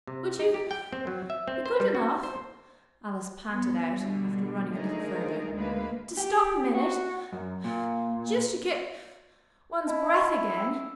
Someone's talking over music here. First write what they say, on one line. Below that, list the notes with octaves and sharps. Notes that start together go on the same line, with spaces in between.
'Would you--be good enough,' Alice panted out, after running a little further, 'to stop a minute--just to get--one's breath again?'
C3
D#4
G4
G5
C4
F#3
E5
C4
C5
G3
F#4
C5
G2 G3 B3
B2 D3 G3
D3 A3 D#4 G#4 A#4
D2 D3 G#3 A#3 B4 F5
G4
F#4
F#2
A#2
E4 D#5 A5
E6